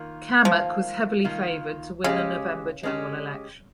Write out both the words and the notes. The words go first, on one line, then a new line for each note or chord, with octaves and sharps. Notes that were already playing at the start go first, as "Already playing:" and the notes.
Cammack was heavily favored to win the November general election.
Already playing: D#3 A#3 F4
D#3 F3 A#3 F4
D#3 A#3 F4
C#3 G#3 C#4 G4
G#3 C#4 G4